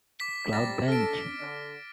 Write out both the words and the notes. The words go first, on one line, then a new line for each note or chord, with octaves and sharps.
Cloud bench.
D6 B6
C3 G3 D6 A6 A#6
A4 F6 D7
D3